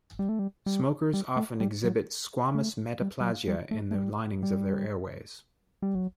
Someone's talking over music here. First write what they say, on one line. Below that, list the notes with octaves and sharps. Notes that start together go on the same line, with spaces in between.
Smokers often exhibit squamous metaplasia in the linings of their airways.
G3
A3
G3
G3
G3
A3
G3
F#3
A3
G3
G3
F#3
G3
A3
A3
G3
G3
G3
F#3